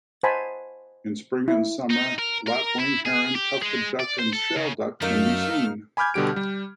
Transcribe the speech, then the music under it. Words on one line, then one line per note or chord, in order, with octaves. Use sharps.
In spring and summer, lapwing, heron, tufted duck and shelduck can be seen.
C5 D#5 F#5 G#5 A5 B5
E4
D#4
A#4
A#4
E4
G#4
G4
G#3
D5
C5
A4
C#3
F#2 A3 A#3 D#4 F5 F6
G#5 B5 D6 F6 G6 G#6
B2 D3 G3 G4 D7
G3